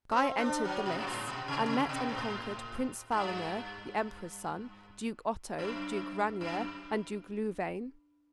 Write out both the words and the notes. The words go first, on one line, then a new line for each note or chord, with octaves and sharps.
Guy entered the lists and met and conquered Prince Philaner, the Emperor's son, Duke Otto, Duke Ranier, and Duke Louvain.
C4
D4
F#3
B2
G2
A2
B2
C3
C3
B2
A2
G2
F#2
F#2